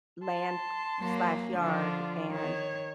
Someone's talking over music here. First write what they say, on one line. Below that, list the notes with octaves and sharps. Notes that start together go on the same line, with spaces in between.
land/yard and
A5 C6
F#3 A#3
D3 F3 F4 D5
D#3 C#5